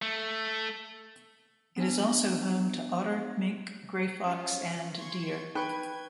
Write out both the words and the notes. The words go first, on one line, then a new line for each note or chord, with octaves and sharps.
It is also home to otter, mink, grey fox and deer.
A3
B3 D4 G#5
C#4 F4
C6 C#6 G#6
D#4 B4 G5 C#6 G#6